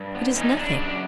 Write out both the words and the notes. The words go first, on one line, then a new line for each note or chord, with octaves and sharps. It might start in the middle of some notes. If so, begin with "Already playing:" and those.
"It is nothing."
Already playing: G2
B3
E3 C#4 D#4
C#3 D4
F#2 D4